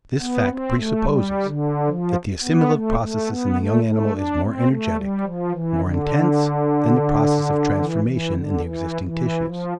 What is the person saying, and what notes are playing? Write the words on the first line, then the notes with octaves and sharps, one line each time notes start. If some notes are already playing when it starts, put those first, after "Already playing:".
This fact presupposes, that the assimilative process in the young animal is more energetic, more intense, than the process of transformation in the existing tissues.
B3
C4
A3
G3
D3
F3
B3
A3
A3
B3
A3
A3
D4
C4
A3
G3
F3
E3
D3
E3
E3
D3
E3
E3
F3